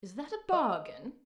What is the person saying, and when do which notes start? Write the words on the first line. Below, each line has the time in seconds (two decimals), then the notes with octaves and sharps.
Is that a bargain?'
0.53 D#5